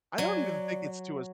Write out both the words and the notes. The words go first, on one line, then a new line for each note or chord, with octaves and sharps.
I don't even think it's to us
F#3 D5 G#5